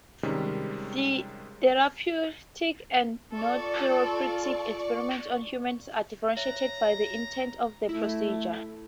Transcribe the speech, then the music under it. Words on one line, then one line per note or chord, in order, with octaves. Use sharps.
Therapeutic and nontherapeutic experimentation on humans are differentiated by the intent of the procedure.
C3 D#3 G3 G#3 C#4
F4 A4 D5 C#6
C#5 E5 A#5
A3 E4